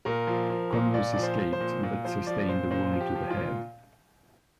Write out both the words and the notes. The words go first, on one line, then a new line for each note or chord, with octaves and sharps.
Commius escaped, but sustained a wound to the head.
A#2 A#4
F3
F3
A#2
A#2 D5
F3 D5
C5
F3
C5
A#2
A#2
F3 C5
F3 D5
A#2 C5
A#2 C5
F3
G4
F3
F4
A#2